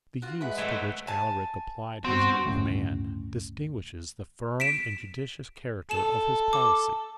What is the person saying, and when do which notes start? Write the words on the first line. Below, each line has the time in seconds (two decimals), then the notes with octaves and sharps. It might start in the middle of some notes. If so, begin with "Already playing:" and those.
The use to which Alaric applied his new command, distinguishes the firm and judicious character of his policy.
0.22 F4 F#4
0.41 G#3 B4 E5 F#5 B5
0.58 G#2 A3 C#5 F#5 G5
1.07 G#5 A5
2.04 G2 B3 C4 F#4
2.45 D1 G1 A2 C#3
4.60 B6 D7 E7
5.91 A4 E7
6.53 D6